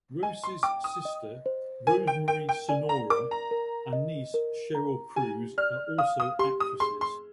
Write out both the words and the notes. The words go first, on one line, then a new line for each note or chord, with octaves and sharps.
Roces' sister, Rosemarie Sonora, and niece Sheryl Cruz are also actresses.
D#5 G#5
C6
G5 D6
D#6
D#5
C5
A#4 G#5
G5
A#4 G5
G5
D5 G#5
A#5
A#4 D6
A#5
A#4
D#5
A#4
A#5
G4 G#5
D5 F6
F5 D#6
D#6
G4 C6
D#6
G#4 C6
C6